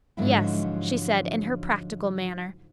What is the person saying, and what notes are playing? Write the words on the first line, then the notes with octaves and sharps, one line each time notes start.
"Yes," she said, in her practical manner.
G#2 D3 F3 F#3 G#3 E4